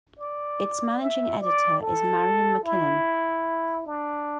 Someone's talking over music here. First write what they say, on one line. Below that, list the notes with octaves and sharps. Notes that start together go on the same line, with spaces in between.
Its managing editor is Marion MacKinnon.
D5
E5
D5
A4
E4
D4